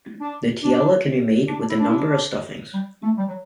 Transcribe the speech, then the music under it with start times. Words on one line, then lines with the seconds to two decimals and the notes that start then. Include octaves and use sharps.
The tiella can be made with a number of stuffings.
0.21 D4
0.63 D4
1.48 D4
1.58 D4
1.69 E4
1.80 D4
1.88 E4
1.95 D4
2.74 G3
3.03 A3
3.17 G3
3.27 F#3